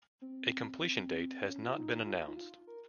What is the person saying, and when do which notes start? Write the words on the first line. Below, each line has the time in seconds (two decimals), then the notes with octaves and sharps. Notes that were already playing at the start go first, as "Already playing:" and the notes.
A completion date has not been announced.
0.22 C4
0.83 C4
1.44 C#4
1.63 F4
1.75 D#4
2.06 F4
2.28 D#4
2.37 F4
2.67 A#4